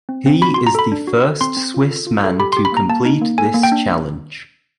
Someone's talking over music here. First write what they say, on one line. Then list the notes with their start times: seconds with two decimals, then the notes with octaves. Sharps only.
He is the first swiss man to complete this challenge.
0.09 C4
0.26 C4
0.42 F#4 B5
0.54 C6
0.58 F#4
0.67 A#5
0.75 A4 B5
0.92 D4
1.07 F#4
1.24 A4
1.41 C4 C6
1.57 C4
1.74 F4
1.91 A4
2.07 F4
2.24 A4
2.40 G4 B5
2.53 C6
2.57 G4
2.65 B5
2.72 A#3 A#5
2.89 A#3 A5
3.05 D#4
3.21 A#3
3.38 A4 G#5
3.54 A#3
3.63 G5
3.72 D4